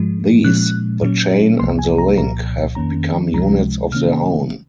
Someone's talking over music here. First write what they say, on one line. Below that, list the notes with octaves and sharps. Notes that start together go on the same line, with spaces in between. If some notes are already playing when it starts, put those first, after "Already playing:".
These, the chain and the link, have become units of their own.
Already playing: G#2 F3 G#3
A#2 F3 G#3 C#4 F#6
A#2 F#3 C#4
C2 C3 F3 A#3 C6
G#5
A#5
C2 A#2 F3 A#5
F2 D#3 A#3 C#4 A#5
C#2 C3 F3 G#3 C#4 A#5
C3 D#3 A#3 C#4 F6